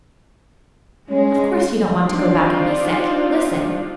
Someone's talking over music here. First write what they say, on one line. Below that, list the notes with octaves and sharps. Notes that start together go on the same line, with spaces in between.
Of course you don't want to go back an' be sick! Listen!
G#3 C#4
C4 D4 D#4 F4 G4 D5